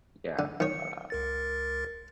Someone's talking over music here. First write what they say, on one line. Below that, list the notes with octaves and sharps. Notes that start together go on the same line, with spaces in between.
Yeah, uh,
D3
D#3 C#5 C#7
C#2 A#4 A6